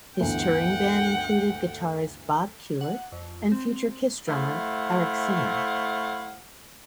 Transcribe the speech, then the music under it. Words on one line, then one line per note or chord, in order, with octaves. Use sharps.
His touring band included guitarist Bob Kulick and future Kiss drummer Eric Singer.
G1 D2 E3 F#5 G5
F#5
F2
C4
A3 E4 C5 F5 F#5